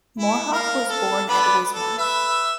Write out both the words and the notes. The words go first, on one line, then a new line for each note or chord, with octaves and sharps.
Morhof was born at Wismar.
E4
A#4 F5
A4
B3 D4 B5
A4
B4 E5